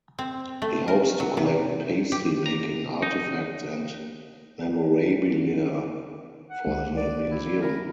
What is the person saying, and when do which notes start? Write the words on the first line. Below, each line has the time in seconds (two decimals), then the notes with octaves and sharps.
He hopes to collect pasty-making artifacts and memorabilia for the museum.
0.19 C4
0.62 A3
0.88 A#4
1.20 F#3
1.37 C3
2.12 G4
2.46 A#5
3.02 D#4
6.50 F#5
6.66 C#2 G#3
6.97 D5
7.29 E4
7.62 E4 A#4 B5